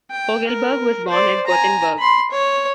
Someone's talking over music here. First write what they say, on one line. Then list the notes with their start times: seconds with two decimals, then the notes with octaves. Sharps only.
Fogelberg was born at Gothenburg.
0.10 G5
0.47 A#4
1.07 C5 D5
1.47 G#5 A#5
1.98 B5 C6
2.31 C#5